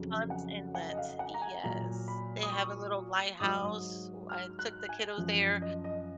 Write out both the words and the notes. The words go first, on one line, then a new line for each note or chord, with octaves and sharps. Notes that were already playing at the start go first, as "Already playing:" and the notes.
Ponce Inlet, yes. They have a little lighthouse, wh I took the kiddos there.
Already playing: F2 C#3 F#3
F#5
F#5
D#5
F5
F#5
A#5
G#5
A#2 F#3 A#5
B5
D#6
C#6
G#2 F#3 D#6
F6
F#6
G#5
F#2 F3
D#5
D#5